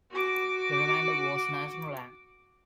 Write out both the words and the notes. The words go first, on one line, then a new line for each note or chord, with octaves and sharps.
The remainder was national land.
F#4 D6